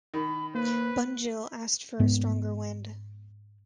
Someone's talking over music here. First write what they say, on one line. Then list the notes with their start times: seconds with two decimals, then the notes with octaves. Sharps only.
Bunjil asked for a stronger wind.
0.14 D#3 B5
0.55 A#3 B4 C5
2.00 G#2 B3